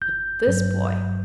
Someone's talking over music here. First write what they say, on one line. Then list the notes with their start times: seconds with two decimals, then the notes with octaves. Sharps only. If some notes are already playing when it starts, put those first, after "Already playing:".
But this boy....
0.02 G1 G6
0.47 G2 F#3